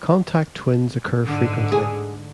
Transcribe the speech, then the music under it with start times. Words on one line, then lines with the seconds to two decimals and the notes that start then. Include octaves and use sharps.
Contact twins occur frequently.
1.25 G#2 D3
1.72 G#4